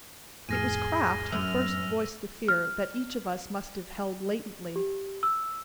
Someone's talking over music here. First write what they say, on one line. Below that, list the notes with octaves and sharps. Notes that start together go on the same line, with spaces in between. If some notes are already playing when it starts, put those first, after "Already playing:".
It was Kraft who first voiced the fear that each of us must have held latently.
F2 A2 G#4 F6 A#6 D#7
F#2 E6 F6
F6
G4
E6